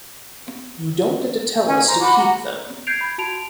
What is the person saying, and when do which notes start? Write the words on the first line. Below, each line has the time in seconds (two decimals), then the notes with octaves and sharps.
You don’t get to tell us to keep them.
1.66 C#4 G#5
1.86 C5 A#5
2.02 F#4 B5 D6
2.17 F#5 A#5
2.87 G6 G#6 C7 D7 F7
3.01 B5 G#6
3.18 F#4 A5 D7 F7